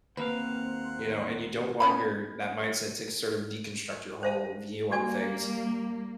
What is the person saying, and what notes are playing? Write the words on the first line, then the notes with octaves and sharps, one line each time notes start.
you know, and you don't want your that mindset to c sort of deconstruct your whole view on things.
D#2 A#3 C4 B4 F5 F#5
B3 C#4 B5
C5 E5 A5
G3 A#3 F#4 D5 G#5